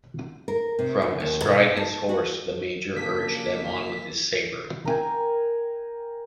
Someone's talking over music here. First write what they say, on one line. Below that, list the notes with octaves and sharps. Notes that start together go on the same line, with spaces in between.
From astride his horse, the major urged them on with his saber.
A#4
C3
C#3
D#2
B2
A5
F#4
C#3 F3 A#3 D4 G4 B6
A#4 G5 G#5